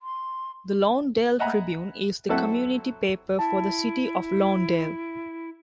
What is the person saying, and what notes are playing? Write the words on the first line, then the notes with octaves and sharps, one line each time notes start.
The Lawndale Tribune is the community paper for the City of Lawndale.
C6
D#5 E5 F#5 G#5 A#5 B5
F#3 C4 E4 A4 E5 F#5
E4 A5